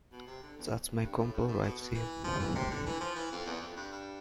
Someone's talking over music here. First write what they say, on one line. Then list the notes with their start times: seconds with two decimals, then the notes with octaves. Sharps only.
That's my combo right ther.
0.12 B2
0.27 C3
0.43 D3
0.58 E2
0.88 F2
1.03 G2
1.19 A2
1.33 G2
1.48 A2
1.63 B2
1.79 B2
1.94 E3
2.24 F3
2.39 E3
2.55 C3
2.71 D3
2.86 E3
3.00 F3
3.16 E3
3.32 F2
3.46 E2
3.61 F2
3.76 G2
3.92 G2